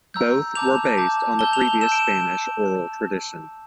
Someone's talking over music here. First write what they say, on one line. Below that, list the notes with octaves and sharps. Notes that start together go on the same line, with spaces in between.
Both were based on the previous Spanish oral tradition.
A#5 E6 G6
A5 D6 G6 F7
A5 D6 G6
A5 E6 G6 G7
F7
G7
A5 E6 G6 E7
D7